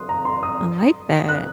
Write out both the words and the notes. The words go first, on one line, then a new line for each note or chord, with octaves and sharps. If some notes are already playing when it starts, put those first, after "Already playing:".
I like that.
Already playing: C6 D#6 F#6
A#5
C6
D#6
F#6